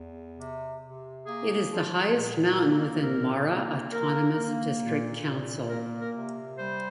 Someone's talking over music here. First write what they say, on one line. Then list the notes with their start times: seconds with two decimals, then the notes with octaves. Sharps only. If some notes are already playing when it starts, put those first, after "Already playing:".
It is the highest mountain within Mara Autonomous District Council.
Already playing: E2
0.38 C3
0.82 C3
1.26 A#3 G#4
1.70 F3
2.15 A#2
2.59 A#3
3.03 A#2 A#4
3.48 A#3
3.92 A#3 A#4
4.36 A#3
4.81 A#2
5.26 A#2
5.69 A#3 A#4
6.00 A#4
6.14 C3
6.58 G3 C5